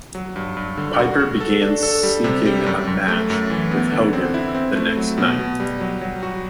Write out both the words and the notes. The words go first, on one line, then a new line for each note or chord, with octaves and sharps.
Piper began seeking a match with Hogan the next night.
F#3
G2
G2
D3
F#4
F#4
A4
D4
A4
G3
C3
G3
F#2
F#2
A3
F#2
E3
B3
D3
C4
E4
C4
A3
F#3
B2
B2
G3
F#3
F#3
F#4